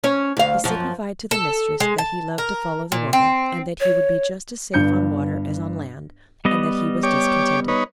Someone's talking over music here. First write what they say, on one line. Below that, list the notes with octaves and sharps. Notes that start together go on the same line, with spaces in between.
He signified to the mistress, that he loved to follow the water, and that he would be just as safe on water as on land, and that he was discontented.
C#4 C#5
D2 F5
F#2 F3
A4
G#3
A5
A#4
A#2
C4
C#5
G1 G2 G6 C#7
G3 B3 D#5
G4 C#5 D6
D#4 B4 C#5